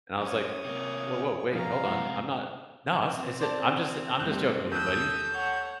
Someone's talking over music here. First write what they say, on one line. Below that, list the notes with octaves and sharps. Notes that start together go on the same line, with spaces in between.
And I was like, uh, "Woah, woah, wait, hold on, I'm not no," I s I said, "I'm just I'm just joking with you, buddy,"
F#2 C#5 D#6
C3 A#3
A#4 G#5
C2 F3 B3 F5 A#5
C3 F3 G#3 E4 F#4
C4
C5 D5 A5
F2 G3 A3 F#6 G6
D#2 A4 D#6 E6 F#6 G6
C#5 F#5